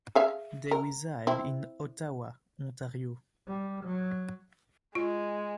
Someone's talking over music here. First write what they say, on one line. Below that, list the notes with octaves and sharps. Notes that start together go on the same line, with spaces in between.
They reside in Ottawa, Ontario.
G#4 E5 F5
A#4
C4 E4
G3
F#3
G#3 F4